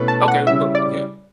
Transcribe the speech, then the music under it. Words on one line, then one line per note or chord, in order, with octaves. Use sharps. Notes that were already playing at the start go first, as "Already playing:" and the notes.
okay, we'll go, okay,
Already playing: B2 A3 C#4 E4 B4
A5
F#5
C#3 G3 C#4 E4 E5
D5